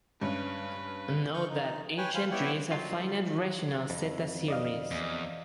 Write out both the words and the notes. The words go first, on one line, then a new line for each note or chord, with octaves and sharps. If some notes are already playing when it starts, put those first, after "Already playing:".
Note that each entry is a finite rational zeta series.
G2 C#4 B4
C#6 F6 G6
D#4
B4 C#5 G5 G#5
C5 F5 G#5 B5
B3 E4 C#5 D5 F#5 G5
F#3 F4
F2
D5 D#5 F5
E2